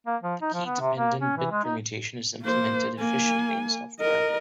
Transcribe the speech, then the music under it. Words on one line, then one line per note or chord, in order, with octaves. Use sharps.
The key-dependent bit permutation is implemented efficiently in software.
A#3
F3
D#4
F3
B3
C3
A#3
C#4
E3
G#3
D#4
A#3 C5
A#3 G#5
A#4 D#5